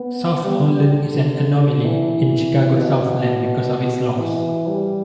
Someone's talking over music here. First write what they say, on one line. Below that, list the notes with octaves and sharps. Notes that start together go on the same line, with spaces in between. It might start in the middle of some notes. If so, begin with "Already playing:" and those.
South Holland is an anomaly in Chicago Southland because of its laws.
Already playing: B3
G3
D3
E3
B2
E3
G3